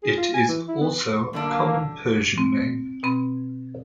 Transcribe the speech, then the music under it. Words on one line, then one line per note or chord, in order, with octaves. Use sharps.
It is also a common Persian name.
G#4
F4
G#5
E3
E4
B3
F#2 D3 A#3 D4
C4
B2 C4 B5